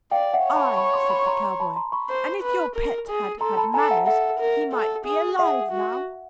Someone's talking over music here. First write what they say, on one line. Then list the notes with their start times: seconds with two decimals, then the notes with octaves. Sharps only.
"I," said the cowboy; "and if your pet had had manners, he might be alive now."
0.11 D5 F5 G5
0.34 E5 F#5
0.45 C#5
0.56 A5 B5
0.77 B5 C#6
0.93 C6 D6
1.10 B5 C#6
1.27 A#5 C6
1.43 A#5 C6
1.60 A5 B5
1.76 A#5 C6
1.92 B5 C#6
2.10 C5
2.43 B4
2.76 A#4
3.09 G#4
3.41 A4 A#5 C6
3.57 A5 B5
3.74 A4 G#5 A#5
3.91 E5 F#5
4.07 A4 E5 F#5
4.40 A#4
4.73 A4
5.06 G#4
5.39 G#4 E5 F#5
5.72 F#4